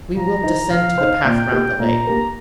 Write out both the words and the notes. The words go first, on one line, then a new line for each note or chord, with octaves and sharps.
"We will descend to the path round the lake."
F3 A#5
D#4 C5
F3 F5
D#4 C5
A#2 G5
A#3 G4 A#4
A#2 A#5
A#3 G4 A#4